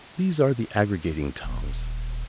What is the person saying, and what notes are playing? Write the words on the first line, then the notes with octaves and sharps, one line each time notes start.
These are the aggregating tongues.
D#1